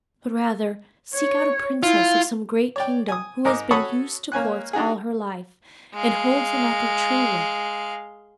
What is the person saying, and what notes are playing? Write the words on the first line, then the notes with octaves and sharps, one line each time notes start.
But rather seek out a princess of some great kingdom, who has been used to courts all her life, and holds them at their true worth.
C#5
E4 F4
C#5 D5 G5
G#5 D#6
G#2 A#4 D#5 D6
F#4 A4 C#5 B5 C#6 D#6
A#3 C#4 G#5 F#6
D4 D#4 F#4 G#4
G#3 F5